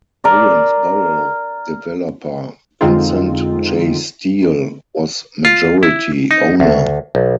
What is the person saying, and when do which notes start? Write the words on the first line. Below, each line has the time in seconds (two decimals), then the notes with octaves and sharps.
Owensboro developer Vincent J. Steele was majority owner.
0.24 A#4 D5
2.81 F2 D3 G#3 C4 D#4 F4
5.45 F4
5.83 E4
6.31 D#4
6.60 D2
7.15 B1